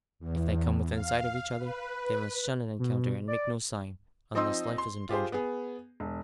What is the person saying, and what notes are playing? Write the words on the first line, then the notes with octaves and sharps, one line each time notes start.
If they come within sight of each other, they must shun an encounter, and make no sign--unless life is in danger.
E2
F5
B4
B2
D5
F3 C4 D#4 D#5 C6 E6
C6
F4 G4 G#4 C5
B3 G#4
E1